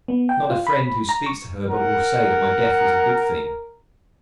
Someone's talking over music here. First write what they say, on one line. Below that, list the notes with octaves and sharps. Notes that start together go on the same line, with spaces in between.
Not a friend who speaks to her but will say that my death was a good thing.
B3
G5
F4
B5
A#5
C#6
A#4 F#5